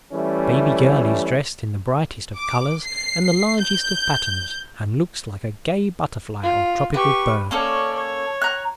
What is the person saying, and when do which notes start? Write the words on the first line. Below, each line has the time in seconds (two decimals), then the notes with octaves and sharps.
The baby girl is dressed in the brightest of colors and the largest of patterns, and looks like a gay butterfly or tropical bird.
0.12 E3 G3 A3 C#4
2.35 D6
2.83 C7
3.60 G6
6.43 F4
6.94 G4 B4 C#6
7.51 A#3 C#4 A4 C#5 D5
7.95 C#5
8.42 A#5 F#6